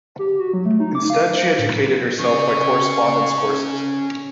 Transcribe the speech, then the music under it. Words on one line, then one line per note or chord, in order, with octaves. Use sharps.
Instead she educated herself by correspondence courses.
G4
F#4
F#3
A3
D#4
D6
F5
C5
A2
C#4 G#4 C#6